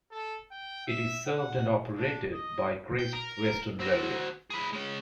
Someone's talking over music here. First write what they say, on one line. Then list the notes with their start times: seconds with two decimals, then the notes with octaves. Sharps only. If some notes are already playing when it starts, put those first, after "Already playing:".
It is served and operated by Great Western Railway.
0.11 A4
0.51 G5
0.87 E5
1.26 F#5
1.97 D4
2.33 D#5
2.99 G5
3.13 A#4
3.80 C4 F#4
4.50 G#4 B4
4.73 G#3 C#4